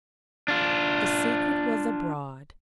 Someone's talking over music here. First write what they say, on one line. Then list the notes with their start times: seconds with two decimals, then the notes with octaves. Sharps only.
The secret was abroad.
0.48 D4 F4